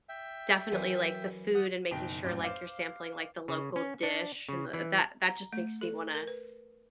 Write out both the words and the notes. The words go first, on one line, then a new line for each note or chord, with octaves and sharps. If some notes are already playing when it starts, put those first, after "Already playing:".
definitely, like, the food and making sure, like, you're sampling, like, the local dish, and the that that just makes me wanna
E5 G5
F#2 E3
F#5 D#6
F#1 B2 D#3 G5 D7
A#1 F#2 A2 C#4 D6 G6
C5 F5 D6
C#3
C#4
D4
C#3
E3
A#5
A3
A4
A#4
B4